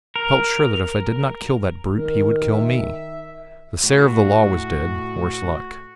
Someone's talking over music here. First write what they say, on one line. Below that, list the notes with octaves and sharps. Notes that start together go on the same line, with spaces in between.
I felt sure that if I did not kill that brute, he would kill me. The Sayer of the Law was dead: worse luck.
A#4
D#3 A#4
E5
A2 F#4